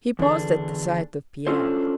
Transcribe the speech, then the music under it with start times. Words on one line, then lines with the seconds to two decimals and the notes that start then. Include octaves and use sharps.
He paused at the sight of Pierre.
0.19 E2 D3 D4
1.47 C#4 D4 F4 A4 C5